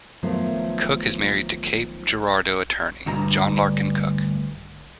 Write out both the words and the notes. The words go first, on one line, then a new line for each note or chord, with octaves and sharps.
Cook is married to Cape Girardeau attorney John Larkin Cook.
D#3 F3 F#3 A3 B3
D2 G2 A#5